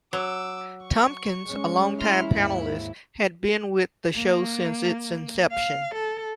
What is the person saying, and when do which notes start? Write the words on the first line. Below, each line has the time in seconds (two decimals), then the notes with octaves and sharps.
Tompkins, a long-time panelist, had been with the show since its inception.
0.13 F#3 D6 E6
0.83 C#6
1.46 G#3 C#4
1.99 E4 C6 F6
2.29 D#2 G#2 B5
4.15 A#3
5.52 F5
5.95 A4